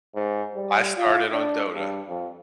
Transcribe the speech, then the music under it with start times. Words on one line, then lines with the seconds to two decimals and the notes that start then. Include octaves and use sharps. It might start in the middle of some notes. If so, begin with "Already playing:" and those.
I started on Dota.
0.16 G#2
0.56 G3
0.97 F4
1.33 D4
1.74 G2
2.08 F2